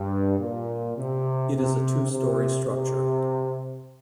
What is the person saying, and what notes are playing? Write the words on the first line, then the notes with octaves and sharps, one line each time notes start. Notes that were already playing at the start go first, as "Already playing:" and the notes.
It is a two storey-structure.
Already playing: G2
A#2
C3
C3
C3
C3